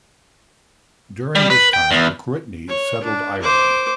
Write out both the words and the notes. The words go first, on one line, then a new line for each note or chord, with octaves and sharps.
During this time the Cruithne settled in Ireland.
G3
B4
G5
E2
C#5
D4
C5 D6